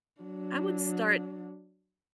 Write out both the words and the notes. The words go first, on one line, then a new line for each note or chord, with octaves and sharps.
I would start
F#3 D4